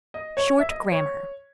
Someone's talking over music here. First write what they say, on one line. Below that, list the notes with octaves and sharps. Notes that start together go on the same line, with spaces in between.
Short Grammar.
D#5
C#5
E5
D#5
C#5